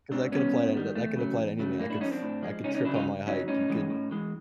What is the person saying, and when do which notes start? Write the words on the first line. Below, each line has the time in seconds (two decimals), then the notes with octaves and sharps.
'Cause I could apply to that that could apply to anything. I could f I could trip on my hike, you could
0.11 G#2 C4 D4
0.32 D#3 G3 B3 C#4
0.53 G#2
0.74 D#3 G3
0.95 E2 A3
1.16 C#3 F#3 A3
1.37 E2
1.59 C#3 F#3 A3
1.80 A2 A#3
1.90 D4 E4
2.00 G#3 C#4 D#4
2.05 F3
2.11 C4 D4
2.22 A2
2.43 F3 G#3
2.63 C#2 C#4 D#4
2.75 C#4 D#4
2.85 F#3 D4 E4
2.88 C#3
2.95 D#4 F4
3.06 C#2
3.27 C#3 F#3 C#4 D#4
3.48 A2 C#4 D#4
3.69 E3 G#3
3.90 A2
4.11 E3 G#3